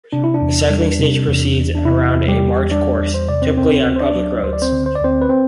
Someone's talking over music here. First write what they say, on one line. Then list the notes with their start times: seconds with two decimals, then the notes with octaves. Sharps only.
The cycling stage proceeds around a marked course, typically on public roads.
0.13 C3 D4
0.24 E4
0.34 D4
0.42 E2
0.70 G3
0.99 C3
1.28 E2
1.57 E2
1.75 D4
1.85 C3 E4
2.14 E2
2.28 G3 G4
2.43 E2
2.71 G3 D4 D5
3.00 E2
3.14 C5
3.29 C3 D5
3.42 C4 C5
3.57 D2 C4 C5
3.86 D2
3.96 C5
4.00 D4 D5
4.15 F#3
4.43 D2 C5
4.53 D5
4.62 C4 C5
4.72 D3
4.86 C5
4.95 D5
5.01 D2 C4 C5
5.22 B4
5.29 C4 C5